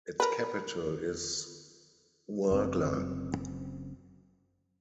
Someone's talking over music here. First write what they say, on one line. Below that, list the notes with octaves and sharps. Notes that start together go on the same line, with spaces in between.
Its capital is Ouargla.
A#4 B4
F#1 F#2 A#2 C4